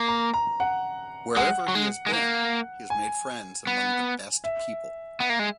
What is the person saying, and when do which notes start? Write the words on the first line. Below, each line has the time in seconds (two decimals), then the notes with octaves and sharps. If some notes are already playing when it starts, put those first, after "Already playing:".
Wherever he has been he has made friends among the best people.
Already playing: A#3
0.08 A#5
0.34 A#5
0.60 F#5
1.36 G#3 F#5
1.68 F#3
1.75 G#3
2.06 G#3
2.13 A#3
2.90 G#5
3.67 B3
4.44 E5
5.20 B3
5.30 A#3
5.39 G#3